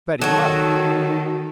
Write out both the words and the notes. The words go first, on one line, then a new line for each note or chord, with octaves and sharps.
Very well!
D#3 F#3 F#4 A4